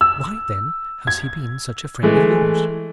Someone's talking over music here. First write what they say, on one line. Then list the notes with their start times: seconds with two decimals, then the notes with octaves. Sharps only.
"Why, then, has he been such a friend of yours?"
0.01 E6
1.07 G#6
2.03 E3 G#3 A3